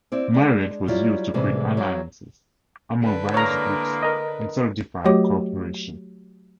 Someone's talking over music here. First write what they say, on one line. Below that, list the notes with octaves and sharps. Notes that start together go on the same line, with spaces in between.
Marriage was used to create alliances among various groups and solidify cooperation.
C4 E4 D5
G#3 D4
F#3 G3 E4 F4
A2 C3 E3 G3 G#3
F#3
D3 D4 B4
E3 G#3 A#3 C#5 A#5
A#4 D#5
F#3 A3 F#4 G4 C#5 D6